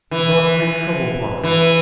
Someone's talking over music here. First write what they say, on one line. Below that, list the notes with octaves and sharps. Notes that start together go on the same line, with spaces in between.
He brought great trouble upon us.
E3
E3